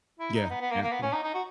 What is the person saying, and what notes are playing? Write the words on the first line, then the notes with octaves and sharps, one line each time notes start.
Yeah, yeah, yeah.
E4
D#4
B3
B3
A#3
A#3
B3
C#4
D#4
D#4
F#4